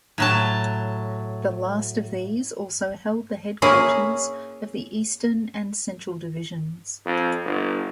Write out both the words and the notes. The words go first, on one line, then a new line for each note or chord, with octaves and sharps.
The last of these also held the headquarters of the Eastern and Central Divisions.
A2 F#3 A5
A#3 C#4 E4 G#4
F2
G1